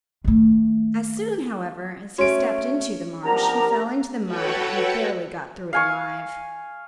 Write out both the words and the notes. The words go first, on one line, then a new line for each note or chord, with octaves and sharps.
As soon, however, as he stepped into the marsh, he fell into the mud and barely got through it alive.
D#3 A3
A3 C#4 F#4 D7
F3 B3 D4 G4 A#4 A#5
F#4 A4 B4 C#5 F#5 G5
F5 G#5 C#6